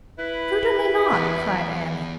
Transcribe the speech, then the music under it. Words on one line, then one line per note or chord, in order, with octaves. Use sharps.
"Certainly not," cried Annie.
E4 B4
E2